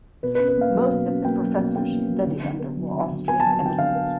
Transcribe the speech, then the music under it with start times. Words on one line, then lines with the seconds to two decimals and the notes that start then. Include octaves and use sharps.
Most of the professors she studied under were Austrian emigrants.
0.23 B2 B4
0.35 B4
0.40 C#4
0.48 B4
0.57 A#3 F5
0.74 F#3
0.90 B2
1.08 C#4
1.25 A#3 G5
1.42 F#3
1.58 B2
1.75 C#4 G5
1.92 A#3
2.09 F#3
2.26 D3
2.44 D3
2.59 B3
2.76 F#3
2.94 D3
3.11 D3
3.28 B3 G#5
3.40 F#3 A5
3.53 G#5
3.62 D3 G5
3.78 D3 F5
3.95 B3